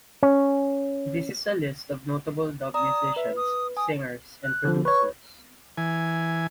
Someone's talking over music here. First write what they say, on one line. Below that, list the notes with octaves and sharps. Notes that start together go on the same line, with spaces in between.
This is a list of notable dub musicians, singers and producers.
C#4
D5 A#5 D#6
B4 E5
D#6
G#5 D#6
F#6
D3 F3
B4 C#5 C#6
E3 G#5